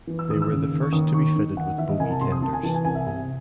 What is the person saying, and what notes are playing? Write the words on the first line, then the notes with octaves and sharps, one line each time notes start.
They were the first to be fitted with bogie tenders.
E3
E6
D#2 D#6
E6
C#3
D#2
C#6
D#2 D#6
D#3 C#6
D#3
D#2 F#5
E3 E5
D#5
C2 G#5
A5
C3 C6
D#6
C2 A5
G#5
E3 A5
G#5
C2 G#5
E5
C3 G#5